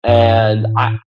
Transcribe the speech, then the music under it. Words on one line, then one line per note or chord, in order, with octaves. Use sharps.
And I
G2
A2